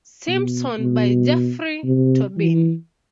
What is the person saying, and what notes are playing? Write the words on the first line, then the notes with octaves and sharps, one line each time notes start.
Simpson by Jeffrey Toobin.
B2
B2
C3
E3